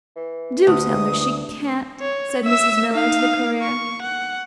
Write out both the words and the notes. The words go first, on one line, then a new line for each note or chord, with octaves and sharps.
"Do tell her she can't," said Mrs. Miller to the courier.
E3
D2 D#6
C#5
E5 E6
D#4 F5
C#6
F#5